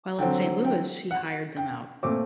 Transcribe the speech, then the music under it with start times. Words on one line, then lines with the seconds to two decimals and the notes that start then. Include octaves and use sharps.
While in Saint Louis, she hired them out.
0.19 D3 F#3 C4 G5
0.65 G5
1.11 F#5
1.57 G5
2.03 A#2 A3 C4 D6